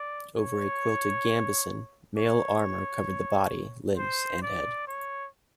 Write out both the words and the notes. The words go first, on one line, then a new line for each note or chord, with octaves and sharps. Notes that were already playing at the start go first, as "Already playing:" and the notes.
Over a quilted gambeson, mail armour covered the body, limbs and head.
Already playing: D5
C#5
C#5
C5
D5
C#5